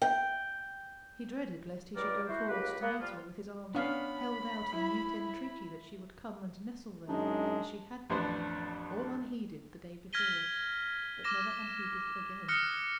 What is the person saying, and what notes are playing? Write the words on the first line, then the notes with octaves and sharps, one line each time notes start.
He dreaded lest he should go forwards to meet her, with his arms held out in mute entreaty that she would come and nestle there, as she had done, all unheeded, the day before, but never unheeded again.
G5
C#2 G2 G3 A#4 D5
E4 F#4 C5
C#2 A#3 G4 B4
A#3 B3
F3 G3 F4
B3 C#4 D4 F5 B5
E4
F#2 G#3 D4 D#4
A1 F2 D4 B4 C5
F6 G#6 A#6 B6 D#7 G7
D6 F6 A#6 E7
D#6 F6 F#6 A#6 C#7